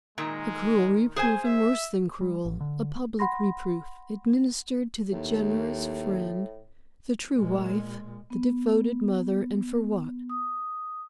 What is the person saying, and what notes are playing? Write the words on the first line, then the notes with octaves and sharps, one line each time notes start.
A cruel reproof, and worse than cruel, a public reproof, administered to the generous friend, the true wife, the devoted mother--and for what?
A#2 D#3 G#3
G#4 C5 G#5
E5
G3
A1
D3
F#5 B5 C6 A#6
D#2 A2
A#2 G#3
B3
D#6